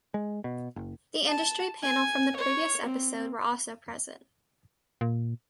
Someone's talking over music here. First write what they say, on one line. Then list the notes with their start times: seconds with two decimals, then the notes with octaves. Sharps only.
The industry panel from the previous episode were also present.
0.14 G#3
0.44 B2
0.76 F#1
1.29 A5
1.83 G#5
2.36 C#5
2.86 C4
5.01 A#2